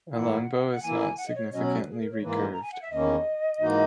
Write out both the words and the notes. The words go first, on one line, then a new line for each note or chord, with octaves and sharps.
A longbow is not significantly recurved.
G#2 E3 A#3 E4 F#5
F#5
E3 A#3 E4 G#5
G#5
F#5
D#5
C#5
B2 F#3 C#4 F#4 D#5
C#5
B4
G#4
A#4
C#5
G#2 E3 A#3 B4
A#5
G#5
F#5
E5
E2 D#3 A#3 C#4 D#5
G#2 E3 A#3 D#4 F#4